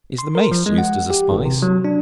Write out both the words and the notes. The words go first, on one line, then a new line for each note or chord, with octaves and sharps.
Is the Mace used as a spice?
C6
A#4
F3
G#3
F#5
G4
G#1
C3
F#3
D4